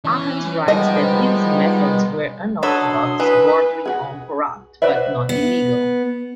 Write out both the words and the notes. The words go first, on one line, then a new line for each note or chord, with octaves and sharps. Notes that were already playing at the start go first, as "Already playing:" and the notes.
Ahrens writes that these methods were "unorthodox, bordering on corrupt," but not illegal.
E3 C#4
D#3 F3 G3 G#3 B3 D#5
F#2 F#3 D4 A4 B5 C6 D#6
E3 B4
F#4 G#4
F#4 B4 C5 D5 E5
B3